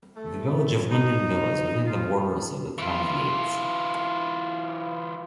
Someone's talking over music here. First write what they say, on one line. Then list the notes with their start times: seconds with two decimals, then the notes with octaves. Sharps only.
The Village of Lyndonville is within the borders of the Town of Yates.
0.16 A3
0.90 D#4
1.86 F4
2.79 E3 F4